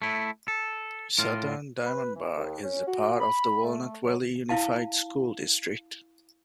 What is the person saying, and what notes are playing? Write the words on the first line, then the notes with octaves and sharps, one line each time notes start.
Southern Diamond Bar is a part of the Walnut Valley Unified School District.
A3 E4
A4
A2 F4
B4
E3
D#2
C#4
F#4
B5
A3
F#3
E4 F5 A5